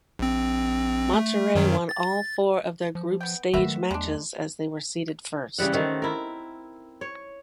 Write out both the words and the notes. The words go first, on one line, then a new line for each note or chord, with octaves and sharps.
Monterrey won all four of their group stage matches as they were seeded first.
A#1 C4
A3
F#2 D#3 F#3
A6
F3
B3 G5
D#3 F#3 A3 F#4 B4 E5
E2 G#3 D4
C#3 E3 G3 F#5
D#3 A3 C4
E4 A#4
C#5